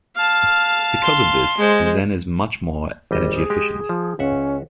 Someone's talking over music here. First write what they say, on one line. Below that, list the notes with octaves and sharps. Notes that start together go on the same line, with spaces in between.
Because of this, Zen is much more energy efficient.
F5 A5 F6
C6
G#3 C5
G#1 G3 D#5
G#4
G#3 G4
F3
C#2 C#4 E5 F#5